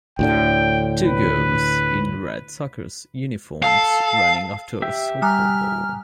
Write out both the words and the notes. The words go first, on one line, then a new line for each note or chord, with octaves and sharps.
Two girls in red soccer uniforms running after a soccer ball.
D2 A2 D3 G5
B4
A4 F5
G4 E5
G3 G#5 A#5 D#6 F6 F#6